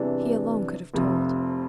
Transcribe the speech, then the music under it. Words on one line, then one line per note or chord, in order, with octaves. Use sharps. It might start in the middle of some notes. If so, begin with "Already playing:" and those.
He alone could have told.
Already playing: E2 C3 E3 G3 D4
F1 F2 C3 F3